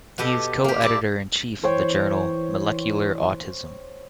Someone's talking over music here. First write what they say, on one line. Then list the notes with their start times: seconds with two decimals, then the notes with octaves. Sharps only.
He is co-editor in chief of the journal "Molecular Autism".
0.18 B2 B3 G4 A4 D#5
0.64 A#3 G4
0.81 E4 D5 A5
1.64 E3 C5 C#5 G5